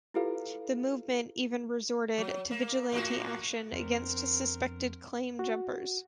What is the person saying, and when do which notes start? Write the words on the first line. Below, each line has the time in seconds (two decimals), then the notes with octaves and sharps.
The movement even resorted to vigilante action against suspected claim jumpers.
0.14 E4 F4 G4 A4 B4 F5
2.18 F#3
2.51 A#3
2.92 A2 A#3 F#4
3.72 F2 B3 C4 D4 A#4
5.39 F#4